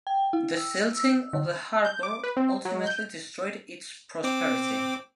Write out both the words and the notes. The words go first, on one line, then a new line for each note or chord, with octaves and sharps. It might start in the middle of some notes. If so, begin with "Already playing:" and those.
The silting of the harbour ultimately destroyed its prosperity.
G5
E4
E6
E6
D3
G6
D6
B4
C4
F#3
G6
C4 D6